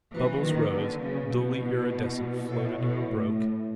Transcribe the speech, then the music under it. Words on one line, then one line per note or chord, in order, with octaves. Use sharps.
Bubbles rose, dully iridescent, floated, broke.
E3 F#3 A#3 C#4 F#4 B4
D#3
D3
C#3
B2 B3 E4 G4 B4
B2 E4 A4 C#5 E5
B2
A2